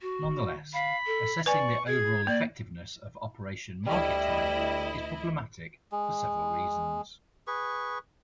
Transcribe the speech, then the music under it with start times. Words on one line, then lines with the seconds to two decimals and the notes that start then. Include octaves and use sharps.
Nonetheless, assessing the overall effectiveness of Operation Market Time is problematic for several reasons.
0.01 F#4
0.73 F5 B5
1.06 A4
1.46 B4 D5 G#5 C#6
1.87 G#4 G#6
2.27 A#3 D5
3.87 D2 G3 E4 D#5
5.92 G#3
7.47 G#4 B4 C#6